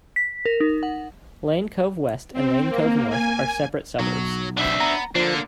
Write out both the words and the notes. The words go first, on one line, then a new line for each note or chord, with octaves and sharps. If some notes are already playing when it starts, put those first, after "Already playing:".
Lane Cove West and Lane Cove North are separate suburbs.
B6
A#4
D#4
F#5
C4
A#3
G#5
B1 F#3
B2 C4 D4 E5
B3 A#5
D3 F3 A#3 D4